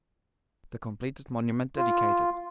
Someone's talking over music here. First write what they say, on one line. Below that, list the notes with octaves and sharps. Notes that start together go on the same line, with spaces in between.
The completed monument dedicated.
F4